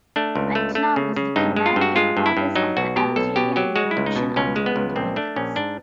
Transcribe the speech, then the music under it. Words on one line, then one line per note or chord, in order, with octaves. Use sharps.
Batna was the command headquarters of the Algerian revolution until independence.
A3 D4
C#2
A3
A3
C#3
C#3
G2 D#4
G#3
F4
G2
F#4
G#3 F4
G2
E4
G2
F#3 D#4
B1 F#4
B2 G4
B1 A4
B2 G4
F#3 G4
G#3 F#4
E4
C#2
D#4
B2
C#2 C#4
G#3
B3
C#2
A#1 C4
A3 D4
A#1 C#4
G#2 D4